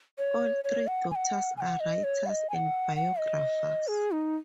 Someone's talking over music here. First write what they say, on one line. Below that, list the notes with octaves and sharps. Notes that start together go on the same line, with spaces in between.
All three daughters are writers and biographers.
C#5
C#5
F#5
G#5
F#5
G#5
F#5
D#5
C#5
F#5
D#5
G#5
F#5
F#5
D#5
G#4
D#4